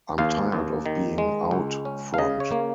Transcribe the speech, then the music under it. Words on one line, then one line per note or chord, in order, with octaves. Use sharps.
I'm tired of being out front.
D#2 F5
D#2
D#3
G#3
C#2
C#4
F5
C#3 D#5
C#5
A#3